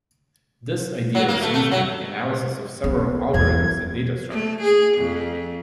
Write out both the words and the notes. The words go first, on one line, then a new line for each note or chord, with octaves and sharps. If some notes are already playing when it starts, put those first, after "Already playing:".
This idea is used in the analysis of several algorithms and data structures.
F#3
A#3
A3
A3
F#3
B3
E2 G#6
A3
G#4
F2